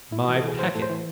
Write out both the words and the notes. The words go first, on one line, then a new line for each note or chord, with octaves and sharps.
"My packet?"
A2 E4
E3 F#4
A4
E3 G#4
A2 C5
A2 A4
C5
E3